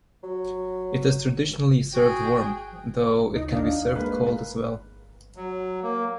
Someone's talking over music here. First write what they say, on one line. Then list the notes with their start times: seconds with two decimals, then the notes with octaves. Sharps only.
It is traditionally served warm, though it can be served cold as well.
0.23 F#3
1.94 F#4 G#4 G5
3.32 D2 D#4
3.52 D#2 D4 D#4 F5
3.95 G#3 A#3 B4
5.36 F#3
5.83 A#3